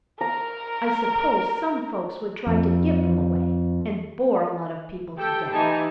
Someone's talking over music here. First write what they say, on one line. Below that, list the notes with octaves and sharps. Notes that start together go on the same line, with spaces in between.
I suppose some folks would try to give them away, and bore a lot of people to death.
A#4 A#5
F2
G4 A4 G5
E3 D#4 G4 G#5 A5